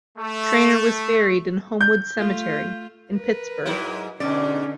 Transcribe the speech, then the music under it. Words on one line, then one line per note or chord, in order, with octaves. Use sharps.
Traynor was buried in Homewood Cemetery in Pittsburgh.
A3
G6
A3 F4
A#4 B4
G#2 F#3 E4
G#2 B2 D3 C#4 D#4 D5